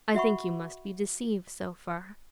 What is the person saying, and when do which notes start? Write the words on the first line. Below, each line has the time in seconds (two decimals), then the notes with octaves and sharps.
I think you must be deceived so far.
0.15 F#4 E5 F#5 B5 C#6